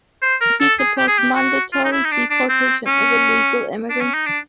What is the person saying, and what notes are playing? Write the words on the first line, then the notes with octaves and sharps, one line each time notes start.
He supports mandatory deportation of illegal immigrants.
C5
A#4
A4
G#4
G4
G#4
G4
F#4
F4
D#4
E4
D#4
D4
D4
C4
C#4
D4
C#4
D#4
D4